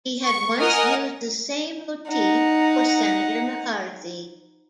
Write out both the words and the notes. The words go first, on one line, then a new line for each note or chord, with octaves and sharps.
He had once used the same motif for Senator McCarthy.
C#6
A#4 D#5 F#5 G#5 D#6 F6
D#4 F#5